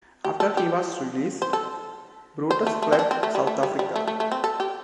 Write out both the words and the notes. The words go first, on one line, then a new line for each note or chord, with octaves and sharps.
After he was released, Brutus fled South Africa.
G4
A4
G4
C5
A4
C5
A3
A3
C4
D4
C4
A3
G3
A3
G3
G3
A3
A3
A3
C4
A4
G4